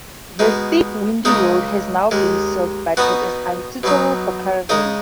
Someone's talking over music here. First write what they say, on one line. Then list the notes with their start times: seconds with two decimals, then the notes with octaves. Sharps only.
The steep windy road has now been sealed, but it is unsuitable for caravans.
0.39 B2 G#3 D#4
1.25 C#2 C#3 G#3 D#4 D#5
2.11 D#2 D#3 G#3
2.97 B2 B3 D#4 F#4 F#5
3.83 B2 F#3 D#4
4.69 C#3 G#3 D#4 D#5